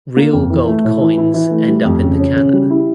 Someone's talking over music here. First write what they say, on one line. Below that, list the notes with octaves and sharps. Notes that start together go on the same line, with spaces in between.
Real gold coins end up in the cannon.
A#3
F2
E3
A3
A2
E3
E4
E3
A3
G3
F2
C#3
C#4
C#3
G3
E4